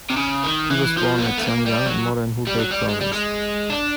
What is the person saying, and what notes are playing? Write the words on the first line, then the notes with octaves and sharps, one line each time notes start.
Pi was born at Xiangyang, in modern Hubei Province.
C3
C#3
D#3
E3
F3
A#3
B3
A3
A#3
G3
F#3
G3
F#3
G3
G#3
G3
G#3
D4